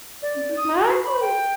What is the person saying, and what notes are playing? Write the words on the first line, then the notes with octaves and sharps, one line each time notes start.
M exactly.
D5
D#6
F#4
B5
G5